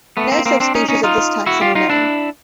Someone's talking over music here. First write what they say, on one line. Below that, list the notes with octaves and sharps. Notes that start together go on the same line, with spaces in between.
No subspecies of this taxon are known.
A3 B3
A#3 C4
A#3 C4
C4 D4
C#4 D#4
C#4 D#4
D#4 F4
E4 F#4
F4 G4
D#4 F4
D4 E4